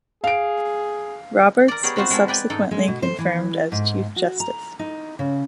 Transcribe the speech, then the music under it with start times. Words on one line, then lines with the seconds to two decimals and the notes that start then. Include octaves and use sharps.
Roberts was subsequently confirmed as Chief Justice.
0.24 G#4 F5 D7
1.68 A#4 D5
1.83 B3 G4 G#4 A#4 C#5 D5
1.96 F#3 B3 C4 F4 F#4 C5
2.10 G#3 C4 E4 A4 A#4
2.28 B4 D5 G5 G#5
2.50 G#2 D#4 A4
2.71 G#3
2.88 B2
3.02 C5
3.18 E3
3.72 G#2
4.16 F#4
4.40 A#5
4.79 D#4
5.19 C#3